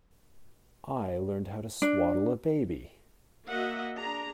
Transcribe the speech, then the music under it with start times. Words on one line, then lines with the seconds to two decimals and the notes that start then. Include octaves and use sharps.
I learned how to swaddle a baby.
1.82 D4
3.49 A#3 F#4 D#5 E5 F#5
3.98 D4 G#4 A#5